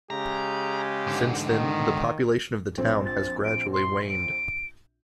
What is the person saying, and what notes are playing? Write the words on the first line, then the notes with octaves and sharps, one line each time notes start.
Since then, the population of the town has gradually waned.
C#3 G#3 G4 A#5
G#2 D3
D#3
A#1 C4
A6
D7
C6
D7